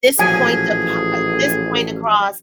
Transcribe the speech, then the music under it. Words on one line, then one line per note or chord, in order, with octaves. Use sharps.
this point of pa this point across
A1 A#2 F3 F#3 G#4 G#5